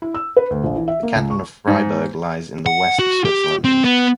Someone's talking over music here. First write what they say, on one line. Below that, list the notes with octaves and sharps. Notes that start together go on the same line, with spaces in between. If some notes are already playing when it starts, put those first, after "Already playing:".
The canton of Fribourg lies in the west of Switzerland.
E4
E6
B4
D2
A#1
E3
E5
A#3
C#2
C#6
G#2
F#5
F#4
G4
C4
B3